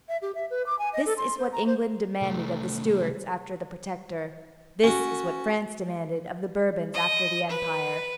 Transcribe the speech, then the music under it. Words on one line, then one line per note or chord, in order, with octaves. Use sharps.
This is what England demanded of the Stuarts after the Protector; this is what France demanded of the Bourbons after the Empire.
E5
G4
E5
B4
D6
G#5
D#5
A4
C6
C5
A#5
C5
C2 A3
C#4 F#4
D#5
B4